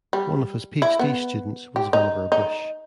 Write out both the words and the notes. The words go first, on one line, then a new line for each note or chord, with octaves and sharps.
One of his PhD students was Vannevar Bush.
G3
E4
B3
G4
D#4
D#4